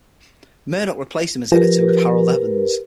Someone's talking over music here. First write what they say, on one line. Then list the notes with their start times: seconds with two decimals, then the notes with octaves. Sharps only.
Murdoch replaced him as editor with Harold Evans.
1.52 F3 G4 A#4 B4